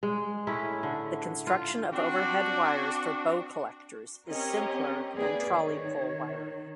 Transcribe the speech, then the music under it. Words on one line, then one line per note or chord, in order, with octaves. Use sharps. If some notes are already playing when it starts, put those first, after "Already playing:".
The construction of overhead wires for bow collectors is simpler than trolley pole wiring.
G#3
A2 C#4 E4 G#4
D3
F4
C4 D4 F#4
C4 C#4 G4 A#4 D#5
A#3 G#4 B4 D5
D#3 C#5